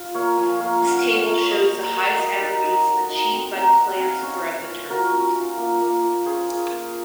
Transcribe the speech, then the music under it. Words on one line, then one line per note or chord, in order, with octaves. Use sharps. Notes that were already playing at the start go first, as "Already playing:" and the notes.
This table shows the highest averages achieved by players throughout the tournament.
Already playing: F4
A#3 C#5 F5
F3 F5 G#5
A#3 C#5 F5
C#4 F5
F#5
F5
F4 F#5
C#5 F5
F4
C#5
F#3 C5 D#5
A#3
A#3
F#3 D#5 F#5
D#4
D#4
F#3
D#4
C4
C4 F#5 A#5
C4
F#5
C4 F5 G#5
C#4 C#5 F5
C#4
F4
C5
F#3 F#4 A#4
C#4
F4
A#3
A#3
F4
C#4 G#4 C5
F4
A#3